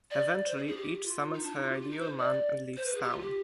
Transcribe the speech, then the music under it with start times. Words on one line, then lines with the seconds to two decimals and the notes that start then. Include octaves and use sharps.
Eventually, each summons her ideal man and leaves town.
0.11 D5
0.48 C5
0.57 G#4
0.67 G#4
0.77 G4
1.05 F4
1.34 D#4
1.43 D4
1.52 D#4
1.63 F4
1.72 G4
1.81 F4
1.90 D#4
2.00 C5
2.19 D5
2.77 C5
2.86 B4
2.95 G#4
3.03 G4
3.11 F4
3.20 G4